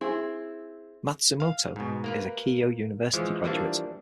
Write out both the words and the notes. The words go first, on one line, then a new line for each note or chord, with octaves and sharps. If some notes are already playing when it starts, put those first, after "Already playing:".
Matsumoto is a Keio University graduate.
C4 E4 G#4
F5
G#2 B2
A#3 A#4 B4
E3 F3 G#3
E3 F3 G3 A#3 D4